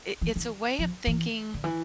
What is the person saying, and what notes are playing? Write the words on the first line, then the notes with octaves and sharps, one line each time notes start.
It it's a way of thinking
E3
E3
F3
E3
D3
E3